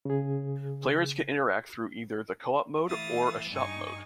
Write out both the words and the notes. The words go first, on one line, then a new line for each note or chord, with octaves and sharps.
Players can interact through either the Co-op mode or a Shop mode.
C#3 G#4
E3 A3 F5 D#6 A6
G2 D#4 G#5 C#6